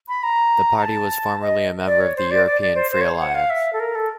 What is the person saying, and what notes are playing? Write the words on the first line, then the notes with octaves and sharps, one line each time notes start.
The party was formerly a member of the European Free Alliance.
B5
A#5
A#5
A5
D#5
D5
C#5
C5
D5
D5
D5
C5
C5
C#5
F#5
F5
E5
A4
A#4
A4